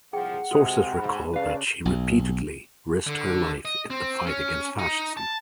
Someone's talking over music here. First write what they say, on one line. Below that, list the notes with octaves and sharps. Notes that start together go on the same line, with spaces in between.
Sources recall that she repeatedly risked her life in the fight against fascism.
C2 F3 G#4 F#5 G5
C3 G#3 F#4 A4 C5
G#2 B5
C#3 D4 B4 D5 F5
B1
D3
D#5
C4
C#4
D#4
A5